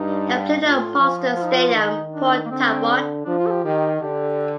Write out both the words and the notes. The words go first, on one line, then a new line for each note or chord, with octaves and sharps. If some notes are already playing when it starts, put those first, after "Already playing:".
They play at the Marston Stadium, Port Talbot.
Already playing: G2 D#4
A2 F4
F3
F4
D#4
F4
F4
D#3 D#4
D4
A#3
D3 C4
F3 D4
F4
A4
G4
D#3 G4
D3 G4